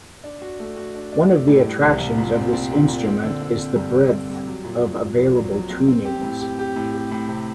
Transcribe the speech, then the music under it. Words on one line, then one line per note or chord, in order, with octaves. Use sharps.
One of the attractions of this instrument is the breadth of available tunings.
D4
F#4
A3
F#4
D4
D4
A3
A2
G3
C2
C2
A#2
C4
C4
A#2
A#2
C4
D3
C4
C4
G2
C4
C4
G3
F#3
A#2
A#2
A#2
A#1
F#3
F#3
C4
C4
G4
A2
G4
G4
A2
G4
A2
C3